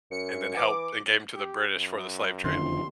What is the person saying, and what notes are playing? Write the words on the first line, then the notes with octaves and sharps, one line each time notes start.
and then helped and gave 'em to the British for the slave trade,
F#2 C#7
E3 D6
G4
F#2
F#1 F2 D3 D#3 F3 C6